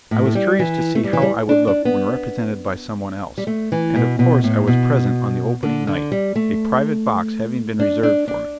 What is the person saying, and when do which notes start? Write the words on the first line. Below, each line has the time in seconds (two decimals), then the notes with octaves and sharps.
I was curious to see how I would look when represented by some one else, and of course I was present on the opening night, a private box having been reserved for me.
0.11 A2
0.25 A3
0.35 G3
0.59 E3
0.95 A3
1.04 G3
1.13 E3
1.22 G3
1.49 D4
1.67 D4
1.85 B3
3.38 G3
3.47 A3
3.72 E3
3.96 B2
4.19 B2
4.44 A2
4.67 B2
5.63 D3
5.87 D3
6.12 G3
6.36 A3
7.80 D4
8.03 D4
8.28 D4